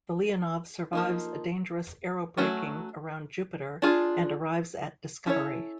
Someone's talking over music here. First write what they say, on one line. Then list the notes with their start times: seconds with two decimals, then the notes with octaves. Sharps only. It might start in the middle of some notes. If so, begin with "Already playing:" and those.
The "Leonov" survives a dangerous aerobraking around Jupiter and arrives at "Discovery".
0.93 F3 A#3 D#4
2.37 F#3 A3 C#4 F#4
3.82 D4 F4 G#4
5.27 C#4 E4 A4 C#5